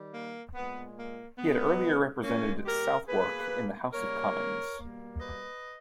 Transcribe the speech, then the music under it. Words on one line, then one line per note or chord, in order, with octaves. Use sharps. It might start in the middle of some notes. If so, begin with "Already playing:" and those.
He had earlier represented Southwark in the House of Commons.
Already playing: D#3 G3
A#3
A#2 G#3 B3
A#3
B2 G#3 B3
B2 G#3 A#3 C#4
G4 A#4
B2 A#3 G#4 B4
C#3 G3 A#3 A#4 C#5
B2 G3 A#3
B4 D#5